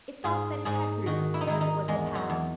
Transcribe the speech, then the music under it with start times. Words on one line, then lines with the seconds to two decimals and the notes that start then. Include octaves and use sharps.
It thought that it had roots, because it was the past.
0.24 G#2 G#4
0.65 G#2 G#4
1.06 D#3 F#4
1.34 E4
1.41 D#4
1.47 D#3 E4
1.61 D#4
1.88 E2 G#3
2.15 F#3
2.30 E2